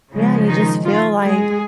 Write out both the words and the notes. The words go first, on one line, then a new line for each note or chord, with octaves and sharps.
Yeah, you just feel like
C#3 F3 G#3
D#3 D#4
F3 F4
G#3 G#4